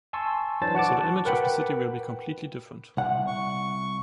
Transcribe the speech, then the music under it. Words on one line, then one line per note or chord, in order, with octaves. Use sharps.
So the image of the city will be completely different.
G#5 A5 C6 C#6 E6
E3 F#3 D4 C5 A5 A6
F#4 F#5 A5 D6
A#4 B4 F#5 G5 B5
C2 F#5
C#6